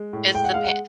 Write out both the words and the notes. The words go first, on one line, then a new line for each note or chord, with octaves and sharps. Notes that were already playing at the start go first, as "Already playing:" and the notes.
It's the pa
Already playing: G#3
A2
G#3 G5
F#5
G#3 F5
F#5